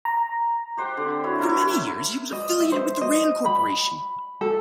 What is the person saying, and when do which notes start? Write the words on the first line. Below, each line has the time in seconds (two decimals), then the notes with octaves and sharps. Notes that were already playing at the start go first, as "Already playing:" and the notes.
For many years, he was affiliated with the Rand Corporation.
0.05 A#5
0.77 G4 C5 F#5 G5
0.97 D3 C4 G4
1.24 E4 F#4 C#5 E5
1.38 F#3 E4 A#4 C5
2.32 D#5
2.60 E5
2.72 C5
3.01 D#5
3.46 B5
4.41 A4